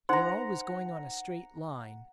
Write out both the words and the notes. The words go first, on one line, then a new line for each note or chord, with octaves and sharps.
"You're always going on a straight line."
D#4 C5 F#5 A#5 C6